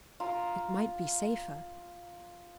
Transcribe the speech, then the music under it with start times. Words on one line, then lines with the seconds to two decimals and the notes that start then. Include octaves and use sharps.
It might be safer.
0.20 F4 A#5